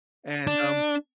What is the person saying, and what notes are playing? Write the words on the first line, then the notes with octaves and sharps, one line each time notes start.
And, um
D4